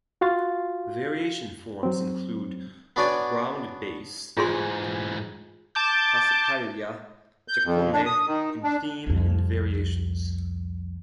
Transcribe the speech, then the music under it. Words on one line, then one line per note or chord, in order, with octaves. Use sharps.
Variation forms include ground bass, passacaglia, chaconne, and theme and variations.
F4 F#4 F5 C6 A6
F#3 C4
B3 D4 F#4 C#5 D5 G#5
G#2 E3 F4 G#4 C6
A5 D6 G6
G6
F2
D4
D#6
D#3
D4
C2 F2